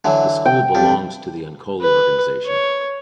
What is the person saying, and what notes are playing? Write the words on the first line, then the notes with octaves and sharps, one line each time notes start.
The school belongs to the Uncoli Organization.
D3 E3 F#3
G5
F2 G3
B4
C#5